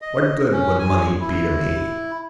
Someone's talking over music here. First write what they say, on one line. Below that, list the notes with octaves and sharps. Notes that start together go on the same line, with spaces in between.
What good would money be to me?
D#5
C#4
G#5
E4